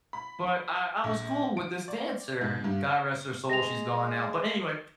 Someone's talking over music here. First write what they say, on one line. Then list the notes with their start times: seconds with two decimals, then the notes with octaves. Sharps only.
But I I was cool with this dancer. God rest her soul. She's gone now. But, anyway,
0.13 B5
1.04 A#1
1.57 D7
1.88 D5
2.41 G#2
2.64 G2
3.50 G#3 A#6 F7